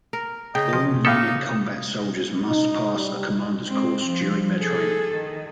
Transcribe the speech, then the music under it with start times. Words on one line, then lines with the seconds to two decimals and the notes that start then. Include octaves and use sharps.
All unit combat soldiers must pass a commander's course during their training.
0.13 A#4
0.55 C#3 D#5 G5
0.73 F3
1.05 A2 C#4 D#4 A4 F5 D6 D#6
2.46 D#4
2.97 G3
3.64 G#3 C4
4.05 F3
4.60 G#4 A4
5.14 D#3